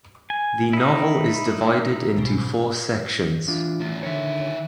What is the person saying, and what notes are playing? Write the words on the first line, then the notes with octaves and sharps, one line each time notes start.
The novel is divided into four sections.
G#5
D#4 E4
B5
C2 G#2 B2
E3 D4 F4
E2 A2
D3 D#3 C#5 E5